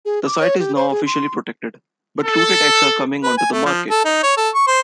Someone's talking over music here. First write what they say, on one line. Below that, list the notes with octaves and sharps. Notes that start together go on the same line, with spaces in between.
The site is now officially protected, but looted eggs are coming onto the market.
G#4
D6
C#5
G4
C5
G#4
C6
A4
B4
G#5
A3
F3
A4
D#4
C#5
A4
C#6
C5